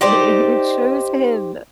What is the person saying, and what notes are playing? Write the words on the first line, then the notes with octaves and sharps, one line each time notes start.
it it shows him
D#4 G4 C5 D5